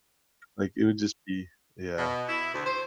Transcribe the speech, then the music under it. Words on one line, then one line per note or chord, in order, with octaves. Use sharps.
like, it would just be Yeah.
B2
E4
D2
C5